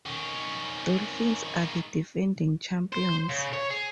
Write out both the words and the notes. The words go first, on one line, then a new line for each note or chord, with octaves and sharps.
Dolphins are the defending champions.
D#3 C#4
C5
C#3
C#5
G#4